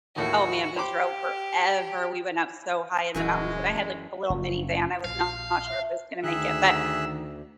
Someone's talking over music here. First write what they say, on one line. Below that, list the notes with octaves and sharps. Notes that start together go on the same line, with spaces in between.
Oh, man, we drove forever, we went up so high in the mountains, and I had, like, a little minivan. I was not sure if it was gonna make it, but,
D#2 A2 D#3 F#4
G4 C5 B5 D6
D#1 F#2 E3 G#3 F#4
F#1 F#2
A#1 F5
E5
D2 D#3 G#4 E5 E6 F#6